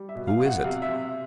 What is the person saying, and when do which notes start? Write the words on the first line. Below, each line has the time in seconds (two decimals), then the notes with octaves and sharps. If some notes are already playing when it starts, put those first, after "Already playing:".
"Who is it?"
Already playing: G3
0.09 E5
0.15 B2
0.27 F5
0.40 B2
0.46 F#5
0.64 C3 F5
0.82 E5
0.89 C3